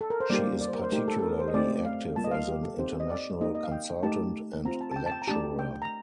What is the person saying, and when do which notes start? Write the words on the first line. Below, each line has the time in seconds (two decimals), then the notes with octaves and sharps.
She is particularly active as an international consultant and lecturer.
0.01 A4
0.10 A#4
0.20 C5
0.30 G3 A#3 D#4 G4 D5
0.61 D5
0.68 C5
0.75 A#4
0.82 C5
0.92 A3 D#4 G4 A#4
1.08 A4
1.19 A4
1.23 A#4
1.39 C5
1.48 D#5
1.54 A3 C4 G4 D5
1.85 F5
2.16 G3 A#3 F4 A5
2.24 D#5
2.31 F5
2.48 G4
2.63 A4
2.79 C4 D#4 G4 C5
3.00 D#5
3.10 D5
3.40 A#3 D#4 G4 D#5
3.55 D#5
3.64 F5
3.72 G5
4.03 A3 D#4 G4 A5
4.65 C4 F4 A#5
4.81 A5
4.91 A5
4.96 G5
5.06 A5
5.12 G5
5.22 A#5
5.28 A3 D4 G4 A5
5.59 G5
5.82 A#5